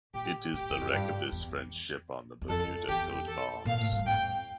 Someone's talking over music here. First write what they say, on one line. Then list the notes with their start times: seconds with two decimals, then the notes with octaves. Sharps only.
It is the wreck of this French ship on the Bermuda coat of arms.
0.14 A#2 G4
0.53 A2 G4
0.70 E2
0.81 F2
0.93 G2
1.32 E2
2.42 E2
2.49 F2 A4
2.88 E2 G4
3.28 A4
3.65 A#2 F5
3.79 A2
3.92 G2
4.06 F2 G5